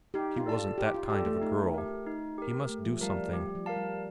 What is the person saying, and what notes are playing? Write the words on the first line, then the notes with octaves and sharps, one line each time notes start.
She wasn't that kind of a girl. He must do something.
D#4 G4
F4
A4 D5 A5
F4
D#4 G4
F4
G4 A4 D5 A5
A3
A3 D#4
G4 A#4
D#4
G4 A#4
A3 G4
F3
G3 A#4 F5 A5
F3
G3 G4
F3
A#4 F5 A5
G3